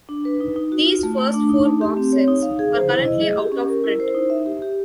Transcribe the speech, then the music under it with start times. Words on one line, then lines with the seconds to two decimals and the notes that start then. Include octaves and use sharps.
These first four box sets are currently out of print.
0.09 D4
0.25 B4
0.40 D#4
0.56 D#4
0.72 F#4
0.86 F4
1.03 A3
1.18 A3
1.34 D4
1.49 D#4
1.66 A3
1.81 G4
1.97 C4
2.13 C#5
2.28 D#4
2.43 F5
2.59 G#4
2.75 C5
2.89 E4
3.05 D#5
3.22 G#4
3.37 G4
3.52 C#4
3.69 A#4
3.84 E4
4.00 C5
4.15 D#4
4.30 E5
4.46 G4
4.62 G4